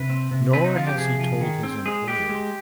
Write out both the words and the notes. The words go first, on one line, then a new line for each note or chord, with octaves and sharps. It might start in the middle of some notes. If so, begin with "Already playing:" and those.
Nor has he told his employer.
Already playing: C3 B4
C4
C3
C4 B4
D#4
F3 F4
G4
C3 G#4
F3
D#3
C4
G#3 G#4
G#3 G4
G#3